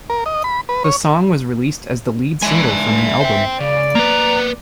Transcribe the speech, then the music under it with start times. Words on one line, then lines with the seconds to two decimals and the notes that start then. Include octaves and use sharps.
The song was released as the lead single from the album.
0.10 A#4
0.26 D#5
0.44 B5
0.69 B4
0.84 C#5
2.42 G#3 D4 E5 G#5
3.21 C5 G5
3.60 C#3 D5
3.95 A#3 B4 A#5